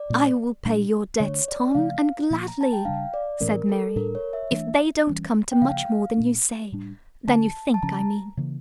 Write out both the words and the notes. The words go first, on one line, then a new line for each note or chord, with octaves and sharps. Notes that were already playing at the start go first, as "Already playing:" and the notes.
"I will pay your debts, Tom, and gladly," said Mary, "if they don't come to much more than you say--than you think, I mean."
Already playing: D5
A#2 A3 C#4
A#2 G3 D4
D3 A3 D4 C#5
D5
C#3 F3 A3 C#4 F5
A#2 F3 A#3
A#5
A5
G5
C#3 G3 D4 F5
D5
A2 E3 A3 C#4 A#4
A4
A2 G3 D4 A#4
C#5
E5
E3 A3 D4
E3 G3 C#4
G5
C#3 F3 A#3 F5
A#2 A3 D4
A2 G3 D4
D3 A3 C#4 A5
A5
C#3 F3 C#4 A#5
C#3 E3 A#3